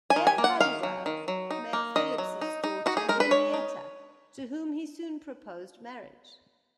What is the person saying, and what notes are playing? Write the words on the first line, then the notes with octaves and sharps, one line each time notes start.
There Halliwell met Phillipps's daughter, Henrietta, to whom he soon proposed marriage.
G#5
D#3
G#5
A#3
F#5
D#3 F5
F#3
D#3
F#3
D#4
A#3
D#3 D#5
F#3
D#4
D#4
D#4 F#4
G#4
G#3 A#4
B4
G#3 C#5
D#4